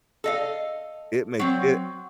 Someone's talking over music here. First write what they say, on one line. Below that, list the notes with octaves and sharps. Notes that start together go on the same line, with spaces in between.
it makes it
A4 D#5 F5
F#3 C4